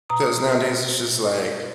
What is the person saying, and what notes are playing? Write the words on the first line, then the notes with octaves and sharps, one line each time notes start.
‘cause nowadays, it's just like,
B2 A#5 D#6